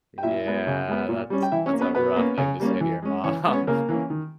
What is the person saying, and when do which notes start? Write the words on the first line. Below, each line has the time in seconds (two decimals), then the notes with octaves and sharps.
Yeah, that's that's a rough thing to say to your mom.
0.18 G5
0.23 A#2 E4 E5
0.45 G#3 B3
0.67 C#3
0.87 G#3 B3
1.09 A#2
1.30 G3 C#4
1.42 G5
1.52 E3 E4 E5
1.66 C#4 C#5
1.73 A#3
1.79 B3 C#4 B4
1.95 B2 B3 B4
2.16 A#3 C#4
2.38 C#3
2.60 G3 A#3 C#4
2.81 E3
3.02 G#3 C#4
3.24 E3 C#4 C#5
3.45 G#3 B3
3.53 C#4 C#5
3.67 C#3 A#3 A#4
3.89 E3 A#3 C#4
4.10 D#3